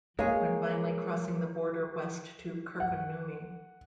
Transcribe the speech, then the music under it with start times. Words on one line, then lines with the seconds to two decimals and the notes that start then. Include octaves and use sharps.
When finally crossing the border west to Kirkkonummi.
0.19 G#3 A#3 G#4 C#5 F5
2.80 F#5